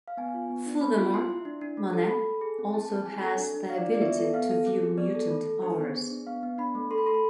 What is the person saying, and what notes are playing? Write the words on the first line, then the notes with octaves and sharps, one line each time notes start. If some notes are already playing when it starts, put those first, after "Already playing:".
Furthermore, Monet also has the ability to view mutant auras.
F5
B3 G#5
F4
B3
D4
B3 B5
F4
E4 C6
E4
D4
D4
A3
A4
A4 B5
A4
G#4
C4
E4 A5
G#4
C4 G#5
A4
D4
D4
D4 F5
D5
F4
D5
B3 E5
A4
B3 F5
A4
C4
G#4
B3 D5
A4
A3
A4
D4 C5
B3
G#4
D4
B3 F5
B3
D4 B5
A3
A4 C6
B5
A4 C6
B5